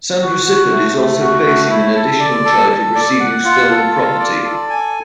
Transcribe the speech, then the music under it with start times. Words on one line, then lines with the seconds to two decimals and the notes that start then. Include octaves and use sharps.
Sandra Sifford is also facing an additional charge of receiving stolen property.
0.21 F#4
0.46 F#4
0.71 A3
0.96 A3
1.20 F#4
1.46 A3
1.70 E4
1.95 A4
2.20 D5
2.45 A4
2.70 A4
2.95 D5
3.20 F#5
3.45 F4
3.70 A4
3.95 F4
4.20 D5
4.45 A4
4.70 G#5